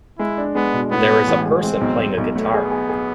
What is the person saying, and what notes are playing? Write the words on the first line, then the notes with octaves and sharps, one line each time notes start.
There is a person playing a guitar.
G#3 E4
D4
G#3 B3
B2
A2 B3
G#3
A1
G#3
G#3 C4
B1
B1
B1
A3 B3
G#4
G#4
G#4